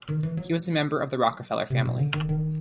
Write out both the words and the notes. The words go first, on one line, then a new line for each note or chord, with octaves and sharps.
He was a member of the Rockefeller family.
D#3
E3
F#3
C3
B2
D3
D#3
D#3